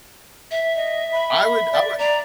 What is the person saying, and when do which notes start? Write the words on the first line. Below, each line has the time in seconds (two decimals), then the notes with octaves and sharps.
I would I would
0.51 E5
0.76 D#5
1.12 B5
1.72 D5
1.99 D5 A#5